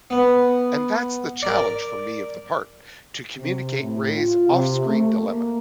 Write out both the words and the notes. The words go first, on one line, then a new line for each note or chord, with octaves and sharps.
And that's the challenge for me of the part: to communicate Ray's offscreen dilemma.
B3
A#4 D5
C3
A2
F4
C3
A3
A#3